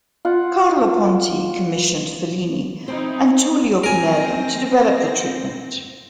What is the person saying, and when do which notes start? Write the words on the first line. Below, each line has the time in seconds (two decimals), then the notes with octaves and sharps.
Carlo Ponti commissioned Fellini and Tullio Pinelli to develop the treatment.
0.25 F4 F#5
2.88 C4 D#4 E4 C5
3.84 C4 A#4 G#5 A#6